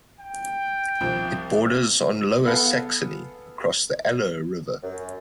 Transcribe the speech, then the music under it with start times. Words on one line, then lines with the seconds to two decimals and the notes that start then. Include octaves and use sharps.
It borders on Lower Saxony, across the Aller river.
0.20 G5
1.01 C2 F3
2.45 B3 G#4 A4 F5 F#5
4.83 F#2